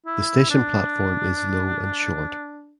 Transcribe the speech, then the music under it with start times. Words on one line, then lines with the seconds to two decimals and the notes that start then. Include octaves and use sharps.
The station platform is low and short.
0.06 E4
0.50 D4